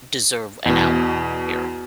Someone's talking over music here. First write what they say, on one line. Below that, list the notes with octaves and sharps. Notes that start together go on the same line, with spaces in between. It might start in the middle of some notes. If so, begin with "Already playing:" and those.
deserve an hour, here
E2 B2